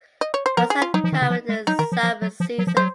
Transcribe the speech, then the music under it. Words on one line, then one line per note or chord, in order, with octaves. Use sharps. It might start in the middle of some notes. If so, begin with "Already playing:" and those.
Floods are common in the summer season.
D#5
C#5
C5
F3 A#4
G#4
F4
F#3 D#4
F3
D#3
C#3
F3
G#3
F#3 D#4
D#3 A#4
F3
F3
F#3
F3
F#3
F3
F#3 C5